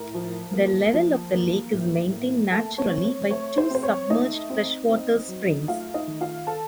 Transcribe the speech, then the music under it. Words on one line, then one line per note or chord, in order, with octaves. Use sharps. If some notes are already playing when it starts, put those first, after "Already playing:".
The level of the lake is maintained naturally by two submerged freshwater springs.
Already playing: A2 A#4 A#5
F3
A#3
F3
A#3
A2
A#3
A3 A4 A5
C#5
C4
C#5
A3 C#5
C5
C4 C5
C#5
A3 D#4 D#5
C4
C4
F#3
A3 F4 F5
D#4 D#5
D#3
F4 F5
A4 A5